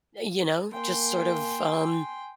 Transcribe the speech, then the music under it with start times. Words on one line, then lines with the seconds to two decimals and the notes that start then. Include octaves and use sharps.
Eh, you know, just, sort of, um
0.73 A#3 G5 G#5 C6